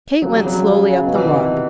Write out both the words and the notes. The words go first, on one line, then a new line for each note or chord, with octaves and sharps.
Kate went slowly up the walk.
C#3 F#3
G3
F#3
C#3
B2
E3
D#3
C3